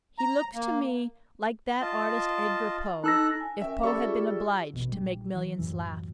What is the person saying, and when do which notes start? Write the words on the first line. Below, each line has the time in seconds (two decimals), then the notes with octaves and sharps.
He looks to me like that artist Edgar Poe, if Poe had been obliged to make millions laugh.
0.19 A#5
0.55 A#3
1.81 F4 D#5 A5
3.04 D#4 A4 E6 F#6 A#6
3.40 G#5
3.62 C#4 A#4 E5 G5
3.83 G3 A4 E5 C#6
4.02 F4 G#4
4.73 A1 B2
4.92 A#1 G3
5.35 E3
5.59 C#2 F#2 A2 E3